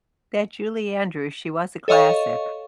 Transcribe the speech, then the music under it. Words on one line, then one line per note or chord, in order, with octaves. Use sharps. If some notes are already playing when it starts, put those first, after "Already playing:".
That Julie Andrews, she was a classic.
A4 C#5 D#5 F5 C#6